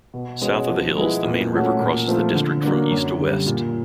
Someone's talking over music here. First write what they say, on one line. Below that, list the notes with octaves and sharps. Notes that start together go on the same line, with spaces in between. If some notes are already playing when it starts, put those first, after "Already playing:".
South of the hills the Main river crosses the district from east to west.
B2
G#3 C#4 F#4 B4
F3
G#3 B3 E4
A#2
F#3 A3 C#4 F#4
A#2
F3 A3 C4 F4
D3
F#3 A#3 D4
F#2
D3 G3
A#2